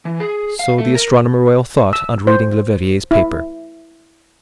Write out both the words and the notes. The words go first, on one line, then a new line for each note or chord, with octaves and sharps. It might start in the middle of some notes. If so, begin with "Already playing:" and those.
So the Astronomer-Royal thought on reading Leverrier's paper.
E3
G#4
F5
A3
A#4
E6
C5
E4